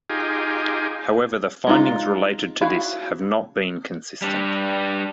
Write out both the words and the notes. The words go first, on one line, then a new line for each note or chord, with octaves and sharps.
However the findings related to this have not been consistent.
D#4 F4 G4 G#4
G#3 D4 D#4 F4 A#5
E4 F#4 G#4 F5
G3 D4